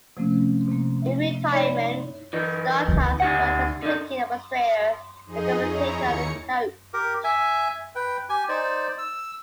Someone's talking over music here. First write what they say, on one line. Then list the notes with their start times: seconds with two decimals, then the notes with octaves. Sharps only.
In retirement, Stott has worked as a cricket administrator, a commentator and a coach.
0.17 C3 F3 A3 A#3 C4 C#4
0.68 C3 A#3
1.02 E4 E5
1.52 D#4 C#5 D5 E5 B5
2.33 E3 D#4
2.88 D2 C#3
3.20 D#4 G4 F#5
3.83 D3 D#4
5.26 F2 D#4 G#4 D#5
5.64 E4 C#5 A#5
5.95 D#2 C#5 C#7
6.94 G4 A#4
7.24 E5 G#5
7.95 B4 G5
8.29 G4 G#5
8.49 D#4 C5 D5
8.98 E6